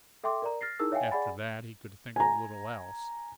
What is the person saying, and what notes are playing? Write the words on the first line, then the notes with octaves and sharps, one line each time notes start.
After that he could think of little else.
A4 E5 G5 C6 D6
A#4 D5 A#5
F6 A6 A#6 C7
D#4 E4 G#4 A#4 E6
C#5 E5 F5 G5 G#5
G#4 D5 F#5 G#5 B5 A6
G#5 A#5